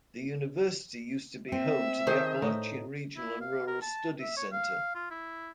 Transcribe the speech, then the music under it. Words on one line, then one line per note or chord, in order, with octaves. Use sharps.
The university used to be home to the Appalachian Regional and Rural Studies Center.
C4 E5
D#3 G#4 A4 C5
A2 D#4
E4
F5
A#4
A5
E5
C#5
F5
F4
E4